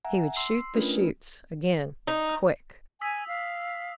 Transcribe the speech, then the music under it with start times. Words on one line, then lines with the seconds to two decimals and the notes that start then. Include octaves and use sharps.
He would shoot the chutes, again--quick.
0.05 E5 F#5 G#5 A#5
0.36 C6 E6 C7
0.74 A3 C#4 D4 F4 A#4 B4
2.07 D#4
3.01 G#5 D#6 E6 B6
3.28 F5